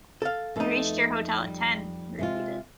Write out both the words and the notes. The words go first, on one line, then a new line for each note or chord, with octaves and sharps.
"You reached your hotel at ten," he repeated.
A4 F5
F2 A3 B3 D#4 A4
G3
C3 G#3 F4